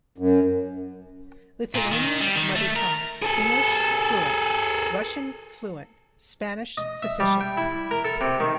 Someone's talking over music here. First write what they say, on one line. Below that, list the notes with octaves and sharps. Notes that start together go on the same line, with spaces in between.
Lithuanian - mother tongue; English - fluent; Russian - fluent; Spanish - sufficient.
F#2
A#2
D#3
G3
D#3
A3
A#4
G#4 A4
D#5
E5
G3
G5
E4
A#4
A4
C3
D#3